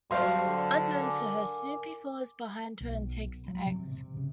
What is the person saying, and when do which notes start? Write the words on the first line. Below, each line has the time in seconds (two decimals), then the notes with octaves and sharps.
Unknown to her, Snoopy follows behind her and takes the eggs.
0.11 F#3 G3 F#4 C5 D5 F5 A5 C6
0.45 D3
1.00 A#4 G#5 D6
2.80 B1
3.48 F#3
3.67 C3
3.91 C3
4.17 C#3